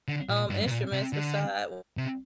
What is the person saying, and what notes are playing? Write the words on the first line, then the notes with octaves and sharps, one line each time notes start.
um, instruments beside
D3
A#2
G2
C3
A#2
C3
D3
C3